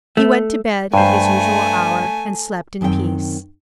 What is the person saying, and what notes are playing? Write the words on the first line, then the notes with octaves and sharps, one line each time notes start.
He went to bed at his usual hour, and slept in peace.
A3
G2 A3 C5 G#5
F#2 D#3 C4 G4 G5